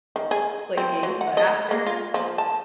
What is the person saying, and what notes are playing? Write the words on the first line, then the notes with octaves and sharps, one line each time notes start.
played games, but after
D#3
G#4
C4
F#3
F#5
D#5
A#3
F4
F3
A5